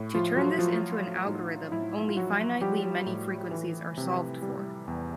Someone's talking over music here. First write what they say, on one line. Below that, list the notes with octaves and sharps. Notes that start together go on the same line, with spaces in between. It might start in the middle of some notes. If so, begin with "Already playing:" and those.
To turn this into an algorithm, only finitely many frequencies are solved for.
Already playing: A2
F3 F4
F3 F#3 F#4
F3 F4
F3
A2 D#4
A2 E4
E4
F4
F3 F#3 F#4
F3 G3 G4
A2
E3
C3
G3
E2